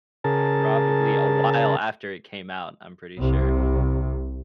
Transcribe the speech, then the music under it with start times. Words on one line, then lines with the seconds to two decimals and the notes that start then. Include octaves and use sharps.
probably a while after it came out, I'm pretty sure.
0.24 C#3 G#4 A#4 A5
3.18 C2 C3